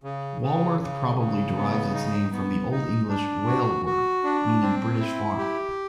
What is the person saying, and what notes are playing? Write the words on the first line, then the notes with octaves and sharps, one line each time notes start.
Walworth probably derives its name from the Old English "Wealhworth" meaning British farm.
C#3
C#3
C#3
C#3
B3
D#4
B3
D#4
D4
F#4
F#4
D4
C4
E4
G4